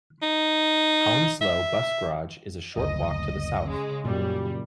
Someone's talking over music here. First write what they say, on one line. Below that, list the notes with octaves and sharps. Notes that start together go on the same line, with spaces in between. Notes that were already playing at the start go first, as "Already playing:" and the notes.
Hounslow bus garage is a short walk to the south.
D#4
E5
F#1 D2 D#5
C#3 G#3
F#2 A#2 C#3 G3